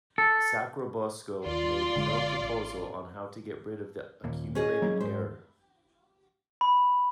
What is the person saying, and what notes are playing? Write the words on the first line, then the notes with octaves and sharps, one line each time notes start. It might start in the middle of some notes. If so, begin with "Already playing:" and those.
Sacrobosco made no proposal on how to get rid of the accumulated error.
A4
D#2 F4 D5 C6
F#1 D3 G#3
A1
D#2 A#2
C#4 G#4 D#5
F#3 G3 A#3
G#2 G#3 C5
B5